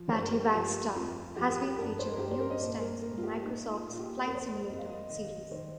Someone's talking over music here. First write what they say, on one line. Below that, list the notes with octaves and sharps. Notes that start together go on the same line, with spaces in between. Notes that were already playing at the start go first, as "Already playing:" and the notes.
Patty Wagstaff has been featured numerous times in Microsoft's "Flight Simulator" series.
Already playing: F3
G2 C5
A#4
G4
A#4
F3 G4
F2 F4
F3 G4
A#4
G4
G2 A#4
C5
A#4
G2 G4
C5
A#4
D#5
A#2 C5
A#4
A#2 A#4
F4
G4
A#2 D#4
D#4
F4
A#2
F4
G4
F2 A#4
C5
A#4
F2 D#5
F5
D#5
D#3 D#5
D#3 C5